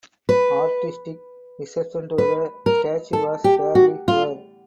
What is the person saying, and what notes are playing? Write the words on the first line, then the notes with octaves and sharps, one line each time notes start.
Artistic reception to the statue was fairly poor.
B4
B4
A#4
A4
G4
F#4
F4